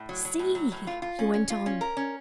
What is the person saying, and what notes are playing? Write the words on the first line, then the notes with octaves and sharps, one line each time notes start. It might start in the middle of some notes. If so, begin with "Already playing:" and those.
"See!" he went on.
Already playing: A2
F#3
F#3
A2
F#3
A2
F4
F4
C#4
C#4
F4
C#4
A#4
C#4